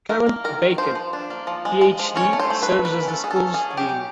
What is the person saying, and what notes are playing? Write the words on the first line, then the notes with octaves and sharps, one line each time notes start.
Karen Bacon, Ph.D., serves as the school's dean.
A#3 A#4
A#3
D#3 A#4
D#3
F3 C5
F3
D4
A#3
F3
G#3
G#3
F3
C#4 C#5
A3
C5
A3
B4
A3
A#3 B4
C#4
A4
C#4 G#4
A4
C#4
C#4 G#4
F#3
G4
F#3